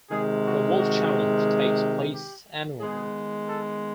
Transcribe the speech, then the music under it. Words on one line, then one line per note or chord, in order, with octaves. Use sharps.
The Wolf Challenge takes place annually.
C3 D#3 G#3 G#4
F#4
F#4
G4
D#3 G#3 B3 G#4
A4